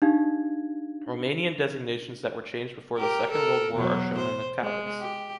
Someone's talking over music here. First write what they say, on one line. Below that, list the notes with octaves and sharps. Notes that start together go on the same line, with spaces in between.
Romanian designations that were changed before the Second World War are shown in "italics."
D4 D#4 G4 F5 G#6
G4 A#4
A4 A#4
E2 B2 F#3
C5
G#3
G4